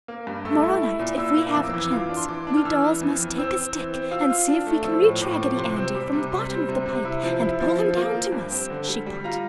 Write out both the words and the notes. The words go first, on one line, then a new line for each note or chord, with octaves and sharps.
"Tomorrow night if we have a chance, we dolls must take a stick and see if we can reach Raggedy Andy from the bottom of the pipe and pull him down to us!" she thought.
A#3
G2
A3 E6
E4
E4
A#2
E4 E6
A#3
F2 E6
D6
E3 E6
F4 D6
D4
C6
E3 D6
D4
F6
E3 E6
E3
F2
E3
C4 E6
C4
E3
C4
F4 E6
F4
D4
A3
F3 E6
A2
A2 D6
F3
C3 C6
C4
G3 D6
C3
G3 C6
C4
C3
C3
E4
F3
E4
F3
F3
A#3
F3
G2
C4
D3
G3
G3
F4 A#5